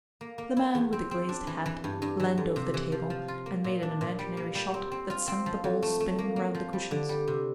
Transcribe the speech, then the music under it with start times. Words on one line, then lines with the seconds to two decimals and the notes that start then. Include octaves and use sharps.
The man with the glazed hat leaned over the table and made an imaginary shot that sent the ball spinning round the cushions.
0.21 A#3
0.38 A#3
0.57 E4
0.75 E2
0.93 C4
1.11 C4
1.29 D4
1.47 E3
1.66 E3
1.84 G2
2.02 G2
2.20 E3
2.38 F2
2.56 C3
2.74 E3
2.92 F3
3.10 F3
3.28 F4
3.46 A#3
3.64 A#2
3.83 D4
4.01 A#2
4.19 G3
4.37 A#3
4.55 G3
4.74 C4
4.92 C4
5.10 F4
5.28 C4
5.46 F3
5.64 F2
5.83 A3
6.00 A3
6.18 A#3
6.36 A#3
6.55 F3
6.73 G3
6.91 D3
7.09 G3
7.28 C3